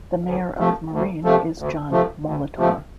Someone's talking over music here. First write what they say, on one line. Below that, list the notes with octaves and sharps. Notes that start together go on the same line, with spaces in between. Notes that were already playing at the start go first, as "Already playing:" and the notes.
The mayor of Marine is John Molitor.
D2
C3 F3 A3
D2
C3 F3 A3
D2
C3 F3 A3
D2
C3 F3 A3